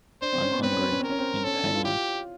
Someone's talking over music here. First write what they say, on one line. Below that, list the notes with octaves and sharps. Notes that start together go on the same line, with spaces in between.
I'm hungry — in pain.
D4 C5
C4
C#4
B3
C4 B4
C#4
C4
C#4
C4 A#4
C#4
C4
C#4 A4
D4
E4
F4
E4
F4 G4